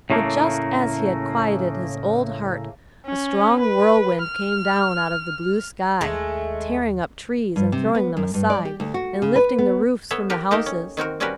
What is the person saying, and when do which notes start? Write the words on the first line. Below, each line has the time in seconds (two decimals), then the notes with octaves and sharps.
But just as he had quieted his old heart a strong whirlwind came down out of the blue sky, tearing up trees and throwing them aside, and lifting the roofs from the houses.
0.10 A2 C#3 A3 A#3
3.06 C#4
3.60 B4
4.23 F6
6.01 D#2 G#3 A3
7.56 G2
7.72 C3
7.95 B3
8.17 F#2
8.34 G2
8.50 D5
8.65 G4
8.80 D2
8.94 F#4
9.22 C#3
9.36 B4
9.58 B3
10.11 B3 A4 C#5 E5
10.30 G4 A#4 B4
10.51 A#3 D#4 G4 A4 A#4
10.66 C#4
10.97 D#3 C4 F#4 A#4
11.20 G3 C4 C#4 F#4 A#4 B4